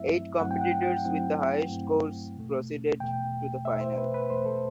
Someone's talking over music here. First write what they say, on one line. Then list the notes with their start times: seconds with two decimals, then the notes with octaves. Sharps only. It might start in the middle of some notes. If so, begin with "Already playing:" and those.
Eight competitors with the highest scores proceeded to the finals.
Already playing: G2 F#3 A3 C4 E4 E5
0.40 G2 F#3 A3 C4 E4 F#5
0.51 G5
0.61 F#5
0.72 G5
0.83 F#5
1.05 G2 F#3 A3 C4 E4 G5
1.70 G2 F#3 A3 C4 E4
2.35 E2 B2 A3
3.00 E2 B2 A3 G5
3.65 E2 B2 A3 E5
3.81 C5
3.98 B4
4.14 B4
4.30 E2 B2 A3 C5
4.46 A4